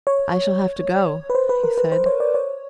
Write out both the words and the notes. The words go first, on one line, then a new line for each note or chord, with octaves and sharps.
"I shall have to go," he said.
C#5
B4
C5
B4
A#4
B4
C5
C#5
D5
C#5